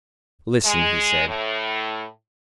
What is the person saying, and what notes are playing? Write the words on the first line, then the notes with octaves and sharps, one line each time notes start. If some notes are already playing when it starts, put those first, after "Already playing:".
"Listen," he said.
G#3
A2